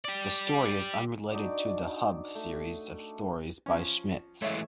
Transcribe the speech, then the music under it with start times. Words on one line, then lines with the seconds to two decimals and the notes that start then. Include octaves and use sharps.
The story is unrelated to the "Hub" series of stories by Schmitz.
0.05 G4 D5
1.31 D4 D#4 F#4 D5
2.35 A3
3.66 F3 C#4
4.42 E3 G#3 A3 C#5 E5